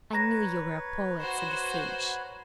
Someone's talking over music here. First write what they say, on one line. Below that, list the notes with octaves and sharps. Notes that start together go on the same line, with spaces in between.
"I knew you were a poet," said the sage.
B4 C#5 A#5 A#6
F#4 C5